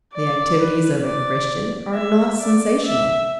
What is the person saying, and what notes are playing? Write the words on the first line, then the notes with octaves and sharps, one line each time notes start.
The activities of a Christian are not sensational.
D5
B4
D5
E5
D5
E5